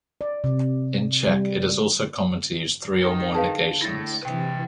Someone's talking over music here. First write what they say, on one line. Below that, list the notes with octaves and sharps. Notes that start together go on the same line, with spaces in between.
In Czech it is also common to use three or more negations.
D5
C3
G3
D#4 A#4
D3 G#4 B4 F5 A5
A3 E4 A6 A#6
C3 E3 B4 G5